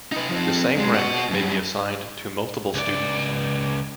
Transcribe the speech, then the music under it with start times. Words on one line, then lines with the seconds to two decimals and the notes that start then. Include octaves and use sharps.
The same rank may be assigned to multiple students.
0.12 D#4 B4
0.29 F3 C4
0.76 F#2 G#3
0.94 B3 F#4
1.30 F#2 G3
2.74 C#2 D5